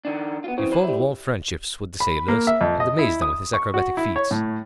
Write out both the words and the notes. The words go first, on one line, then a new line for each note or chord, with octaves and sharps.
He formed warm friendships with the sailors, and amazed them with his acrobatic feats.
D#3 D4
B3 F4
C#3 E3 C4
C5 B5
G3 E4
B5
A#3
E5
F2
D#5
E4
D#6
C#6
F#4
E4
C#5
A2